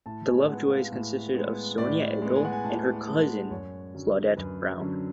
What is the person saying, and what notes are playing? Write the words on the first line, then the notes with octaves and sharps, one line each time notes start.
The Love Joys consisted of Sonia Abel and her cousin Claudette Brown.
A2 A5
G#5
G#3 B3 F#5
F5
A2
G#3 B3
A2 D5
G#3 B3
G#5
F#5
G#5
A2 A5
G#3 B3 A5
F#2 C#5
D3 F#3 C#4
F#2 B4
D3 F#3 C#4